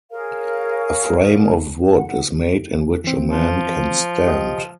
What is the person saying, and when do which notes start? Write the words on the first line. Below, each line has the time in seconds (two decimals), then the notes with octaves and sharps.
A frame of wood is made in which a man can stand.
0.11 G#4 A#4 C#5 F5
1.91 F#5
3.04 E3 C4
3.31 F3
4.27 G4 D#5